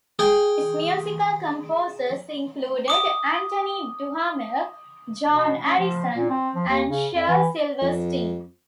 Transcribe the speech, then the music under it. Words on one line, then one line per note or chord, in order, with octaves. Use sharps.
His musical composers included Antoine Duhamel, John Addison and Shel Silverstein.
G#4 G5
D6 D#6
B2
C#4
F3
A#2
C4
F3
D#2
C#3
F2
E3
F2